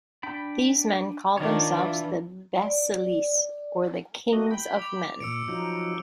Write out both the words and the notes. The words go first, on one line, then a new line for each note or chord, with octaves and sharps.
These men call themselves the "basileis", or the "kings of men".
D4 G5 B5
D#3 D4 F4 C#5
E3 F4
D5
A#3 F#4 D#5
G5 B5
D6 F7
A#2 E6 C#7 D7
F3 F#3 D#4